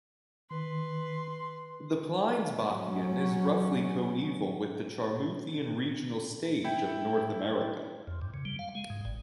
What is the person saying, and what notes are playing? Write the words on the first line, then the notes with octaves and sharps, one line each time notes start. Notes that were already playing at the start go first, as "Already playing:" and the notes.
The Pliensbachian is roughly coeval with the Charmouthian regional stage of North America.
D#3 B4 C6
F#3 C#4
E4 G5
F2
G2
C#3
G3
F5
G#3
G#2
G1